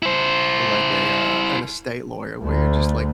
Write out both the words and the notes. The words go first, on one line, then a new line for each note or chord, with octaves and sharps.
like a, uh, an estate lawyer where you're just
E4 C5
D2 A3